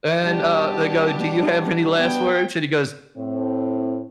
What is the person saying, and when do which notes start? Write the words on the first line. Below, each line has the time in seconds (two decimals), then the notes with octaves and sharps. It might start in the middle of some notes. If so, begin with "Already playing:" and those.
and, uh, they go, "Do you have any last words?" and he goes,
0.23 B2 G3 D4 G4 A5
1.99 B3 G5
3.16 A2 C4